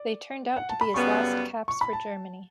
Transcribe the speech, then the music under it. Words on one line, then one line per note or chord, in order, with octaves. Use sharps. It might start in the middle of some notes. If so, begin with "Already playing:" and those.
They turned out to be his last caps for Germany.
Already playing: D5
F#5
A5
B5
F#2 C#3 G3 B3 C#6
C#6
B5
A5